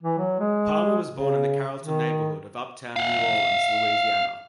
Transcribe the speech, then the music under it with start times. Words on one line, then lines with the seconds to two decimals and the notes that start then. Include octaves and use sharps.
Palmer was born in the Carrollton neighborhood of uptown New Orleans, Louisiana.
0.03 E3
0.18 F#3
0.40 G#3
1.11 C#3
1.83 D#3
2.96 F5 F#5